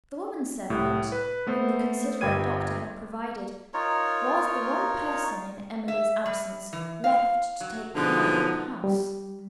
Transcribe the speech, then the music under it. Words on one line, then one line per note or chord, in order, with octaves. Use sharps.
The woman-servant, whom the considerate doctor had provided, was the one person in Emily's absence left to take care of the house.
C2 A2 G4
B4
A3 B3 A4 C5
G1 G3 G5 G#6 D#7
D#4 F4 A#4 C#5
E5
G3
E3
F5
F#3
B2 D3 F3 G#3 B3 D#4
G3